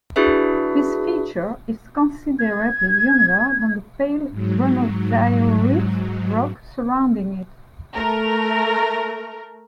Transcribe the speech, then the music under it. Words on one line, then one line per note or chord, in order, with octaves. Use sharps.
This feature is considerably younger than the pale granodiorite rock surrounding it.
D4 E4 F#4 G#4 B4 E5
G#6
G#2 F#3
A3 A#4